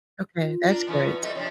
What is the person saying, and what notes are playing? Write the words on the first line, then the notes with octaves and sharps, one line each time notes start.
Okay, that's great.
F4
D4 A#4
B2 E3 C#4
G3 A3 C4 D#5
C3 F3 D4 C#5